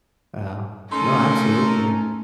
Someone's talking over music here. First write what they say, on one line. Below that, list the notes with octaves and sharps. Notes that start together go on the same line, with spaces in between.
Yeah. No, absolutely.
A3 C#4 D#4 A4 A#4 C6